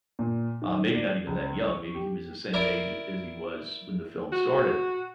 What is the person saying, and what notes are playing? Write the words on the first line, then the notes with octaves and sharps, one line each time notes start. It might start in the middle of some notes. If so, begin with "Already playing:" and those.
uh, maybe not even that young, maybe he was the same age as he was when the film started-
A#2
D#3
D5
C#2
C#6
G4
E4 A#4 D5
F#4